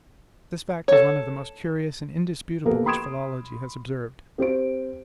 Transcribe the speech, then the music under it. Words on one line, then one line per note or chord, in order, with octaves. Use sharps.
This fact is one of the most curious and indisputable which philology has observed.
A4 C#5
F3 A#3 B3 G4 A4 A#4
B5 C6 D#6 G#6 D7 E7
C4 G4 C5 D7